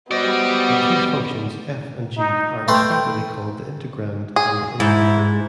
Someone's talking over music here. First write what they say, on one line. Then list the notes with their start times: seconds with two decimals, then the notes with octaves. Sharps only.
The two functions "f" and "g" are respectively called the integrand and the integrator.
0.11 G3 B3 F#4 C5 D5 D#5
2.18 D#4
2.68 A3 B4 G5 C6
4.36 G#4
4.80 G#2 E4